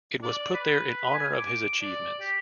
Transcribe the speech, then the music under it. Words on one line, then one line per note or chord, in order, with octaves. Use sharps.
It was put there in honor of his achievements.
D5
B4
G#5
D6
D5
G4